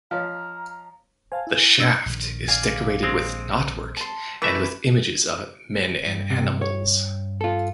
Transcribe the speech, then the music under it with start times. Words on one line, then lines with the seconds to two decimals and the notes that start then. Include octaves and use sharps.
The shaft is decorated with knotwork and with images of men and animals.
0.11 F3 C#5 D#5 F5 A#5 F6
1.32 C5 F5 G#5 A5
1.47 E4
1.79 B2 D4 E6
2.06 A#1 D#3
2.48 D5 F5 G#5
3.03 G#3 C4
3.97 A5 C6
4.42 E3 A3 B4 E5
6.06 G2
6.30 C3
6.62 C#5
7.41 F4 A4